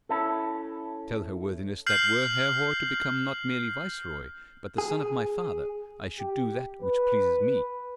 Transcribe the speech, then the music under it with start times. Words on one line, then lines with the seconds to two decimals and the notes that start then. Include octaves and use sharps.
Tell her worthiness that were Herhor to become not merely viceroy, but the son of my father, I should do that which pleases me.
0.09 C#4 E4 A4
1.86 F6 G6 C7 F#7
4.78 G#4
6.19 G4
6.82 B4